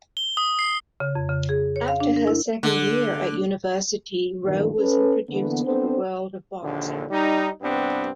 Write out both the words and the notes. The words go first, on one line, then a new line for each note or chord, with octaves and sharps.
After her second year at university, Ro was introduced to the world of boxing.
G7
D#6
C7
C#3
F2
C#3
G#4
C#5
F5
D4
A#4
E4
D3
E2 G2 A#2 D3 D#3 F3
C#4 A4 B4
D3 E3 A#3 B3
B3 C4 D4 A4 C5
A#1 D#2 D3
G3 D#4
C2 G2 B3 C4 D4